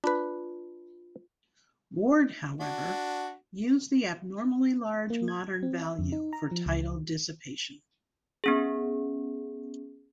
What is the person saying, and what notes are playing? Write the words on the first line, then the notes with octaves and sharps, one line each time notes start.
Ward, however, used the abnormally large modern value for tidal dissipation.
D4 F4 B4
D4 F#4
A#3
G#6
C4
E5
F2
D#4
A#5
F3
C#2
B3 C#4 G#4